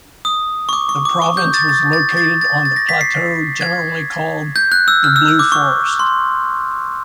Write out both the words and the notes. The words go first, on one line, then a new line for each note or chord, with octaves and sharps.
The province was located on a plateau generally called "The Blue Forest".
D#6
C#6
D6
C#6
D6
C#6
G6
A6
A6
A6
A6
A6
A6
A#6
B6
C7
G#6
G6
F#6
E6
F6
E6
E6
D6
C#6
C6